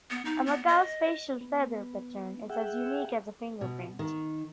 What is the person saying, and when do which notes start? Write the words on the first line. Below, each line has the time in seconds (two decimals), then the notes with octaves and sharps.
A macaw's facial feather pattern is as unique as a fingerprint.
0.10 B3
0.25 D#4
0.46 B3
0.68 D#5
1.41 B3
2.50 G#4 E5 F#5 G5
3.61 B2
3.99 D#3